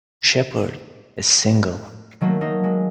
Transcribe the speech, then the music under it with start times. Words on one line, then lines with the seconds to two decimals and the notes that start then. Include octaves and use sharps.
Shepherd is single.
2.21 D#3 F#3 A3 A#3
2.41 A3 A#3 D#4
2.64 F#3 G#3